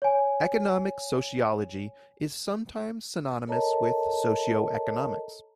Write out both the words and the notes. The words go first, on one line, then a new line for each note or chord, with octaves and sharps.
Economic sociology is sometimes synonymous with socioeconomics.
C#5 G#5
A4 A#4 C#5 D#5 A5 A#5